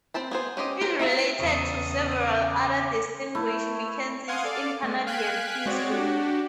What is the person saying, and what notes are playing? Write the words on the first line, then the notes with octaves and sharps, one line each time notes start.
He is related to several other distinguished MacKenzies in Canadian history.
C4 C5 A5 B5
B3 G#4 C5
C#4 G4 C5 D#5
F#4 A#4 C5
E4 A#4 E5 F5
E2 C#3 A4 D#6
D6
A3 E4
F5 F#5 G#5 C6 D#6
A4 D5 F5
G#3 A3
F5 G5 G#5 F#6 G#6 B6
G#3 C4 F#4 C#5 D5
D4 F#4 G4